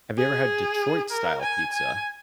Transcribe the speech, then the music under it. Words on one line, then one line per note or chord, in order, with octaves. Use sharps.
have you ever had Detroit-style pizza?
G#4
A#4
G#5
G#5